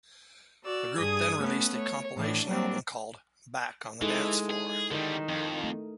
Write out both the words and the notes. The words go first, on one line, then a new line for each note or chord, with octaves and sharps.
The group then released a compilation album called "Back On The Dancefloor".
F#4 D5 E6
G2 G#4 D#6 G#6
A3 B3 C#4
C#5
A2 E3 D4
F#3 G3 A#3 C4 D4
E3 G#3 D#4 E4 A4
G#4
D3 D#3 G3 A#4
F2
A3